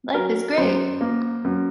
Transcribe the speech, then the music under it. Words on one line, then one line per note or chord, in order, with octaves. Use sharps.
Life is great!
F#3 A#4
F#2 C5
A#3
F#2